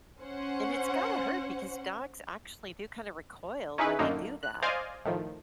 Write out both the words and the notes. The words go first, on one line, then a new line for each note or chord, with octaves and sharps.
And it's gotta hurt because dogs actually do kinda recoil when they do that.
C#4 C5 F#5
C#4 D#4 E4 G#4 B4
F#2 A2 D3 A#3 D#4
F#6
C5 D5 D#5 F5 G#5
A2 D#3 F3